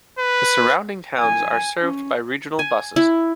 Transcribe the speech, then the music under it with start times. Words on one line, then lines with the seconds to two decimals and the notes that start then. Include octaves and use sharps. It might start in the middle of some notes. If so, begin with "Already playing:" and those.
The surrounding towns are served by regional buses.
0.19 B4
1.20 G#5
1.79 C#4
2.59 G#5
2.96 E4